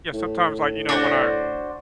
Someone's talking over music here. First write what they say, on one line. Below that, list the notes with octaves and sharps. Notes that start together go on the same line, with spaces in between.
Yeah, sometimes, like, you know, when I
A2
D4 F#4 C5